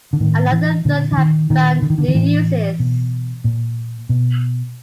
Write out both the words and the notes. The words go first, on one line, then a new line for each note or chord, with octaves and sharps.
Another third have found new uses.
D3
A2 D#3
E3
A#2 D3
E3
D#3
A#2 D#3
D3
D#3
D3
D#3
A2 E3
B2
A#2
B2